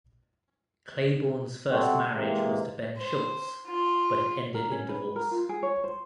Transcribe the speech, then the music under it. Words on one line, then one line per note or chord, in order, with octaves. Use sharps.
Claiborne's first marriage was to Ben Shultz, but it ended in divorce.
C3 G3 C4 F#4 G4 A4
C3 E3 G#3 A#3 C4
C5
F4
A#4
C#4
B4
A#4
F4
G#4
C#5
C5